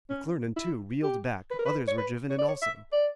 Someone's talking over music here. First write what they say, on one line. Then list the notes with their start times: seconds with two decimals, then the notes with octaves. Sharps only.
McClernand, too, reeled back, others were driven in also.
0.10 C#4
0.56 E4
1.03 G4
1.51 B4
1.59 A#4
1.66 B4
1.88 C#5
1.98 B4
2.30 C#5
2.39 D5
2.48 C#5
2.62 E5
2.93 D5